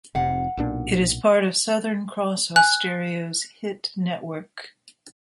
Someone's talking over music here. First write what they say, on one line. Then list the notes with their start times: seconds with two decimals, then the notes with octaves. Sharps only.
It is part of Southern Cross Austereo's Hit Network.
0.15 F1 C3 F5 F#5
0.57 B1 A#2 D4
2.56 G#5 F#6